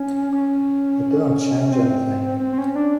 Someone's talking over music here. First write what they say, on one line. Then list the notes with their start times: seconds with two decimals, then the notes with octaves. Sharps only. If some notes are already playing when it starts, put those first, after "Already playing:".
It didn't change anything.
Already playing: C#4
0.32 C#4
1.71 C4
2.40 C4
2.52 C4
2.58 C#4
2.75 D4